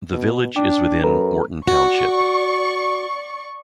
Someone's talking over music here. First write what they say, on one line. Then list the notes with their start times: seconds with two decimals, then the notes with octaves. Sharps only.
The village is within Morton Township.
0.11 B2
0.56 D4 G5 D6
1.04 F#2 A4 B4 A#5
1.68 F#4 D5 C#6